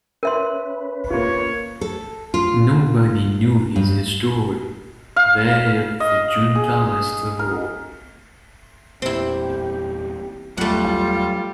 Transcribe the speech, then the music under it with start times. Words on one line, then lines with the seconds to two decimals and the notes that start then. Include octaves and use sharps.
Nobody knew his history, they of the Junta least of all.
0.23 C#4 A#4 B4 E5 C6
1.10 A#3 F4 C#5
1.81 A4
2.34 F4
3.76 G2
5.16 F5
6.00 D#5
6.55 G#4
7.39 A#4
9.02 E2 A#2 C4 E4 G4
10.57 E2 F#3 G3 A3 B3 F4 F#5